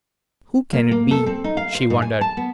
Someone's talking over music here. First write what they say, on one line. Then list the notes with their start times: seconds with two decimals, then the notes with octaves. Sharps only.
"Who can it be?" she wondered.
0.73 A#3
0.91 A#3
1.11 A4
1.26 C4
1.44 D#4
1.57 F5
1.75 C5
1.90 G#2
2.02 G#5
2.21 A5
2.37 B3